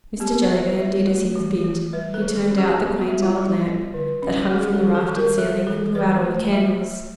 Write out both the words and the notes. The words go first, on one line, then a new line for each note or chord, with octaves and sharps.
Mr. Jellyband did as he was bid--he turned out the quaint old lamp that hung from the raftered ceiling and blew out all the candles.
B3 G4
B4
F#3
C#5
F#3
C#5
A3
E3
E3
G3 B4
A4
D#3
G#4
C#4
G4
B3 G4
F#4
G3
F4
G3
E4
F3
D3
C#4
G#3 G#4
A4
D#3
A4
D#3
A#4
G3 A4
E3 A4
E3 B4
A3
F#3
F#3